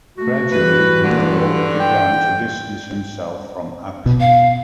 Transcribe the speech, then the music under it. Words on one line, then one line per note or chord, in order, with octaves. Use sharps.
Gradually, Muehl began to distance himself from "Aktion".
A3 F#4
E3 G3 B4
G2 D3
G5
B2
F5